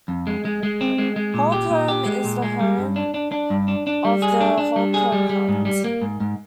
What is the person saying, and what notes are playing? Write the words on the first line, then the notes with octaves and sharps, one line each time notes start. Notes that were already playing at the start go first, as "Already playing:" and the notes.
Holcombe is the home of the Holcombe Hunt.
F2
G#3
G#3
G#3
C4
G#3
G#3
A#2
G4
A#2
G4
G#3
A#2
G#3
G3
G2
D4
D4
D4
G2
D4
D4
G3
G#4
D4
D4
G3
G#4
G3
G3
G#2
G3
A#3
G#2
G#2